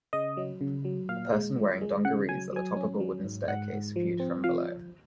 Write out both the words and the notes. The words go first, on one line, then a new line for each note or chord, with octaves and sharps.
A person wearing dungarees at the top of a wooden staircase viewed from below.
C#3 D#5
F#3
C#3
F#3
A#2 F5
G#3
F3
G#3
C#3 F#5
F#3 G#5
F#3 G#5
C#4
F#3
G#2
G#2 F#5
G#2
F3
C4
F3 F5